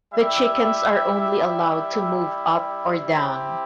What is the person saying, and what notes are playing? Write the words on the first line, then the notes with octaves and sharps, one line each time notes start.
The chickens are only allowed to move up or down.
G3 E4 G4 E5
C4 E4 G4